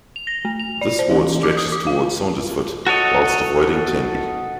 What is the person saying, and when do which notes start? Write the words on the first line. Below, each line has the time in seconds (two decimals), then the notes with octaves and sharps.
This ward stretches towards Saundersfoot whilst avoiding Tenby.
0.16 F7
0.27 A#6
0.45 A3
0.59 F7
0.81 D5
0.99 C5
1.11 E3
1.43 D6
1.57 D#6
1.72 D6
1.87 F5
2.87 F#4 A4 C#5 D#5